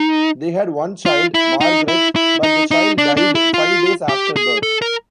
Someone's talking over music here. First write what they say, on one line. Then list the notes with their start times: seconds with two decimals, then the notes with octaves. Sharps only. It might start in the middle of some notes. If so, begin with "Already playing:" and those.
They had one child, Margaret, but the child died five days after birth.
Already playing: D#4
1.06 F4
1.34 E4
1.61 D#4
1.88 E4
2.16 E4
2.43 D#4
2.71 D#4
2.98 D4
3.17 D4
3.35 E4
3.54 F4
4.09 G4
4.37 G#4
4.63 A4
4.82 A#4